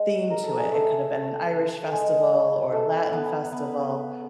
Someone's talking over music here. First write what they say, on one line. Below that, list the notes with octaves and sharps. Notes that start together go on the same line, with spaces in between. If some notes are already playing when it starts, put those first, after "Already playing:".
theme to it. It could've been an Irish festival or a Latin festival,
Already playing: G#3
A#4
A4
G#4
A3 A4
A4
G#3 G#4
A3 A4
B3 B4
B3 B4